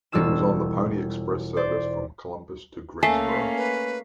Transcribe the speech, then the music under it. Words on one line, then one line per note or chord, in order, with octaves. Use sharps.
It was on the pony express service from Columbus to Greensboro.
E1 G3 F4 E6 E7
C5 D5
A3 A#3 C#4 G#5 B6 C7
B4